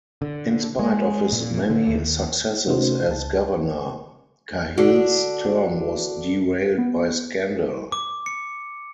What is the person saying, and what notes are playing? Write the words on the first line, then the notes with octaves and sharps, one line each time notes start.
In spite of his many successes as governor, Cahill's term was derailed by scandal.
D3
G#3
A#2
D3
D#2
C3 A3 C#4 D#4 F#4 C5
C#2 A5
D3 D4 F#4
B3
D6
C#7